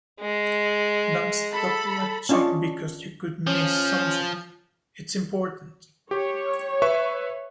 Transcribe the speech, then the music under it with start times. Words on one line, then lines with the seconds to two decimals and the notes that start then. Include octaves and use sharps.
Don’t stop watching because you could miss something. It’s important.
0.21 G#3
1.51 A4 A5 B5
2.29 C#4 D4 F4 D5 D#5 C#6
3.47 F3 C#4
6.11 G4 C#5
6.82 B4 E5 C#6